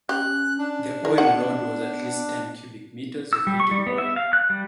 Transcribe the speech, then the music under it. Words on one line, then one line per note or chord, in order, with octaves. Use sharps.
The oil load was at least ten cubic meters of heating oil.
C#4 G4 F#6
D4
E4 A#4
B3 F#5
E6
G3
C#6
G3
B3
E5
F5
F#6
G3